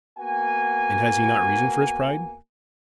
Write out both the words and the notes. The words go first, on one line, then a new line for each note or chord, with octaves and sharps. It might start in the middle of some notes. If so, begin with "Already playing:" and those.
And has he not reason for his pride?
A#3 B3 F#4 G#5